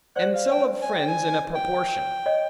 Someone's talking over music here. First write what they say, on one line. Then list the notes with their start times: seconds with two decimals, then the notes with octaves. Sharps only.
And so of friends in a proportion.
0.16 C5 D5 F#5
0.34 F5
0.51 G5
0.82 G#5
0.95 G5
1.08 G#5
1.55 G5
2.26 C#5 D#5